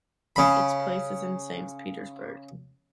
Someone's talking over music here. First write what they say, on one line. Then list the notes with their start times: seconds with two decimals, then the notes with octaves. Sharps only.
Its place is in Saint Petersburg.
0.36 C#3 B5